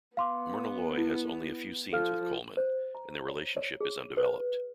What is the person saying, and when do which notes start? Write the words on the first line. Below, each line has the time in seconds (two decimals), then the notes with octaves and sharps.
Myrna Loy has only a few scenes with Colman, and their relationship is undeveloped.
0.17 B3 F5 C6 D6
0.98 E4
1.93 F3 A4 F5 F6
2.57 C5
2.95 A#5
3.29 C#5
3.57 C#5
3.81 G#4
4.17 B4